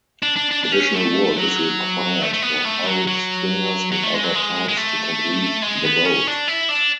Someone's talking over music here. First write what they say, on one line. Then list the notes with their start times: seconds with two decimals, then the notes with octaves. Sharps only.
Additional wood is required for hull stringers and other parts to complete the boat.
0.23 D4
0.37 D4
0.51 D4
0.64 D4
0.72 C#4
0.94 A3
1.36 F#3
2.22 A3
2.33 A3
2.42 B3
2.65 A3
2.85 F#3
3.08 F#3
3.92 F#3
4.03 A3
4.14 G#3
4.24 F#3
4.35 G#3
4.69 G#3
4.77 A3
5.62 G#3
5.84 B3
6.05 C#4
6.27 D4
6.48 E4
6.69 D4